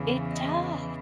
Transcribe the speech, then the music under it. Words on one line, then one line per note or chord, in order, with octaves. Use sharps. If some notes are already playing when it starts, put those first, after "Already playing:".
It does.
Already playing: E2 C#3 E3
D#5